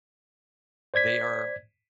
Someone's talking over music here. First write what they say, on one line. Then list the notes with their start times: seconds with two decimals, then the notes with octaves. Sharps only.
They are
0.94 C5 D5 G#6 B6